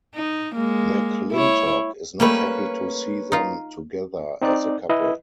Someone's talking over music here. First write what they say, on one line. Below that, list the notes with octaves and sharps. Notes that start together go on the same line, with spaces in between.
McLyntock is not happy to see them together as a couple.
D#4
G#3 A#3
E4 C#5
G3 A3 A#3 C#4 B4
D#4 F4
C4 D#4 D5
E4 B4 D#5